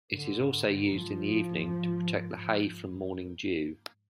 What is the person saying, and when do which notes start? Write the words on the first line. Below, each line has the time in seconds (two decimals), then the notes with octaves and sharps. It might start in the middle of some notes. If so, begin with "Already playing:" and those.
It is also used in the evening to protect the hay from morning dew.
0.14 G#2 D3
0.93 F3